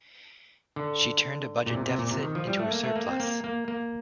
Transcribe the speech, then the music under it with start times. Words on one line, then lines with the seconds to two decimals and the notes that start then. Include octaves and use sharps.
She turned a budget deficit into a surplus.
0.76 D3
1.66 A#2
1.74 C3
1.86 C3
1.98 A#2
2.10 C3
2.23 D#3
2.35 F3
2.47 G3
2.59 A3
2.71 A#3
2.84 A3
2.96 A#3
3.08 C4
3.20 A#3
3.44 A#3
3.68 A#3